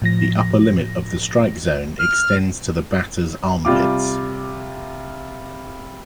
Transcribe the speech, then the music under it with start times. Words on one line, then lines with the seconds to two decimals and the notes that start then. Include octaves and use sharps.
The upper limit of the strike zone extends to the batter's armpits.
0.02 A2 F3 A#6
1.99 F6
3.65 C3 G3 F4 D6